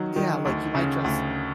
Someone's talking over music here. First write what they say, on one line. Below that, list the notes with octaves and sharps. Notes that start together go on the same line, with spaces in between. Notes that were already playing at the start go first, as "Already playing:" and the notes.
Yeah, like, you might dress
Already playing: D#3 F#3
D#3
D2
C#3
D2